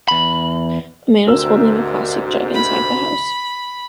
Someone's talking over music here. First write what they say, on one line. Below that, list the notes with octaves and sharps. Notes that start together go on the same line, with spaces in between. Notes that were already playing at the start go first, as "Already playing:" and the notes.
A man is holding a plastic jug inside the house.
E2 B5
D2 G#2 C3 F#4 A#4 E6
B5